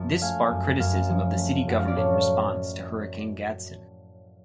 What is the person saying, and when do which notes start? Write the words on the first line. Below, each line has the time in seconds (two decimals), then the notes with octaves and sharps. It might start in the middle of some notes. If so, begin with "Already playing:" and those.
This sparked criticism of the city government in response to Hurricane Gaston.
Already playing: F#2 F3 A5
0.21 A3 F5 G#5
0.51 F#2
0.79 F#2 F5 G#5
1.10 F3
1.38 A3
1.67 F#2 F#5
1.79 F5
1.88 D5
1.96 A2 A4 C#5
2.25 F#3